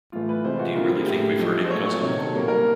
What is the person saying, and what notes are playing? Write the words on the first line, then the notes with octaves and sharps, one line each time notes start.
Do you really think we've hurt him, cousin?
A2 E3 A3 F4
B4
C3 E3 G#3 C5
F4
F#4
D3 G3 A#3 F4
G#4
A2 F#3 A3 G4
D3 F3 G#3
C5
A#2 F#3 A3 C#5
C#5
C3 D#3 F#3 C#5
A4
B2 G3 A#3
A#4